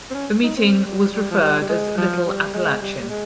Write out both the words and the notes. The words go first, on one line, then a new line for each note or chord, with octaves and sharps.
The meeting was referred as "Little Apalachin".
C4
C#4
D#4
C4
G3
G3
F3
G3
G3
G#3
F3
G3
G#3
G3
G3
G#3